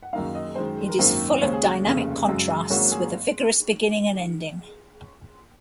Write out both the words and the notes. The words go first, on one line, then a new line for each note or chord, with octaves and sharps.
It is full of dynamic contrasts with a vigorous beginning and ending.
F#5
F#2 D#3 A#3 D#4 F5
D#5
F#2 D#3 G#3 C5
A#4
G#1 F#2 D#3 A#3 C5
D#2 C#3 G#3 C#4 C5
G#4
F#4
F1 D#2 C#3
F#2 C#3 G#3
G#1 G#2 F#3 A#3 C#4 F#4
G#4